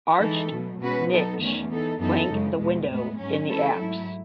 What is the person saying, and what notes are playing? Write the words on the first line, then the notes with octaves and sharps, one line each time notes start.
Arched niches flank the window in the apse.
E3 G#3 D#4 A4
B2 F#3 A3
B2 G#3 C#4 F#4 B4
F#3 B3 D#4 A4
E2 D#3 F#3 A3 C#4
E3 B3 D#4 A4
F#2 E3 B3 D#4 A4
F#2 C#3 G#3
E2 B2 G#3
A2 G#3 B3
G#2 F#3 C#4
E3 G#3 C#4 E4 A4
G#2 F#3 A3 E4